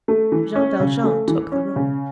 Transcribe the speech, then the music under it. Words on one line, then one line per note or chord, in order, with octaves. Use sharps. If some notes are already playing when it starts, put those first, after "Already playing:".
Jean Valjean took the rope.
A3
E3
C#4
C#3
A3
E3
C#4
C#3